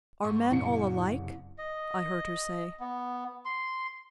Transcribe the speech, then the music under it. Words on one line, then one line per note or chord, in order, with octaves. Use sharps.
"Are men all alike?" I heard her say.
G#2 C#6
C2 F#2 A#2 C#3 C#7
D#5
B3
C6